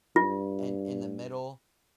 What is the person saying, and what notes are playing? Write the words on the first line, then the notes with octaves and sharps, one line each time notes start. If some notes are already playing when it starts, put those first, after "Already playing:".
in in the middle,
G2 F4